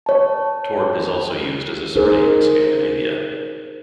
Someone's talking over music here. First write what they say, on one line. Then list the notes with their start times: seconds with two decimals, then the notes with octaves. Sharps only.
"Torp" is also used as a surname in Scandinavia.
0.06 C#5 A5
1.96 D#4 G#4 A#4 C5